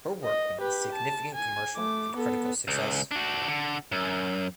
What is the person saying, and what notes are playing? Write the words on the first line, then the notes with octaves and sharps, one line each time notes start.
Her work won significant commercial and critical success.
D#5
G4 B4
A5
G#5
A3 D6
B3 A4
C#2
D4 F#4
D3
F#2